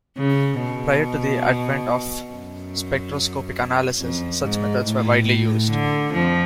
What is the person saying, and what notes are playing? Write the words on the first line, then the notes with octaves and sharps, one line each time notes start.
Prior to the advent of spectroscopic analysis, such methods were widely used.
C#3
B2
F#2
F2
G#2
A2
D3
F2 F3